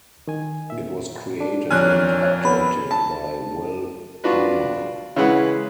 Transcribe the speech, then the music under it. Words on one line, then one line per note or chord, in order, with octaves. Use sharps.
It was created and updated by Wil Palma.
D#3 G#5
A#2 E5
D4
F2 A#2 C#5 G#5 F6 F#6
B3 B5
A5
D4 F4 F#4 B4
C#3 E3 G#3 B4 F#5